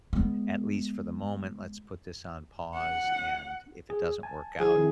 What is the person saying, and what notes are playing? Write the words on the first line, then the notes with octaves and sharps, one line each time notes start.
at least for the moment, let's put this on pause. And if it doesn't work out,
G#3 B3
F#5
G#4
G#5 A5
F3 E4 F4 G#4
D#3 C4 E4